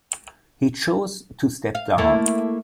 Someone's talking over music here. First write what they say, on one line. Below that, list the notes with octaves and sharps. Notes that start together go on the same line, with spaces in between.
He chose to step down.
F5
A3 A#3 E4